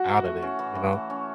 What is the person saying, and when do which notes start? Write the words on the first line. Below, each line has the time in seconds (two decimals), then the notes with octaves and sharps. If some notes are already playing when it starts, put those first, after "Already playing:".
out of there, you know?
Already playing: F#4
0.09 E3
0.25 A3
0.42 C#4
0.59 E3
0.75 E3
0.93 A3
1.10 C#4